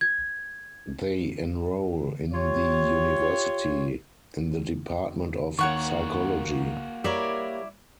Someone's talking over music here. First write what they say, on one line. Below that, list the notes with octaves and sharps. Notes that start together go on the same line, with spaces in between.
They enroll in the University in the Department of Psychology.
G#6
F4 G4 C#5
D#2 D#3 A#3 F#4 C#5 F#5 C#6
G3 E4 A#4 C#5 D5